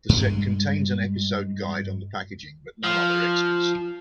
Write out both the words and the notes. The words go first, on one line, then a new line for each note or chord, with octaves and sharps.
The set contains an episode guide on the packaging but no other extras.
G2 G#3
F3